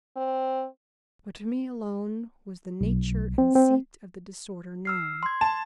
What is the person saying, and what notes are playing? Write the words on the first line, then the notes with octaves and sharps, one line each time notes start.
But to me alone was the nature and seat of the disorder known.
C4
B1
C4
C4
E6 F6 C7
C6 G#6
A5